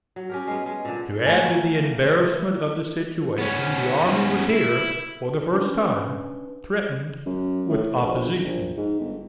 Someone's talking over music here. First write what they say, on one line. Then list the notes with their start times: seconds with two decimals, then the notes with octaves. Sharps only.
To add to the embarrassment of the situation, the army was here, for the first time, threatened with opposition.
0.16 F#3
0.29 C#4 G4 A#4
0.47 G#3 B3
0.66 G#3
0.85 A#2 D3
1.27 A3 A#3 F#5 G#5
3.38 B3 C#4
4.49 E4
5.53 C#4 D4 B4
7.26 F#2
7.69 A2
8.01 A#1
8.24 G1
8.43 A#1
8.77 G#2
9.00 G1